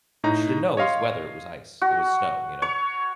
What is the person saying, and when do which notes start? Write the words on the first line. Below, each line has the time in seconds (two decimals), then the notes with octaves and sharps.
but she didn't know it was weather, it was ice, it was snow, you know?
0.24 A2 D#4 A#5
0.77 C#5 D#5 F5 C6
1.82 F#4
2.62 C#5